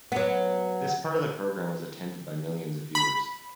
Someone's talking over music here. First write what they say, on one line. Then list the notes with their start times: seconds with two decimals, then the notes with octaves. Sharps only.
This part of the program was attended by millions of viewers.
0.12 F#3 B3
2.95 B5